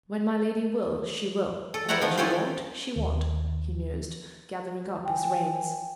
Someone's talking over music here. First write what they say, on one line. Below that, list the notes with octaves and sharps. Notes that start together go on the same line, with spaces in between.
"When my lady will, she will; and when she won't, she won't," he mused, gathering up his reins.
A4
G3 E4 A#4 C5 F#5 A#5
D#3 F3 B3 F4
G#3 C#4 F4 G4 A4 C5
D#2
G5 G#5